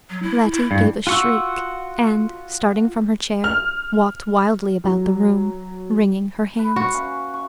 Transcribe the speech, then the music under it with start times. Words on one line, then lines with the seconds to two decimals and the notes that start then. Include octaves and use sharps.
Letty gave a shriek, and, starting from her chair, walked wildly about the room, wringing her hands.
0.10 F#3
0.23 E4
0.51 E4
0.71 G2
1.07 F4 F#4 F#5 C#6 E6
3.44 F6
4.84 F#3
6.59 B4
6.76 F#4
6.94 C#4 F5
7.34 C#6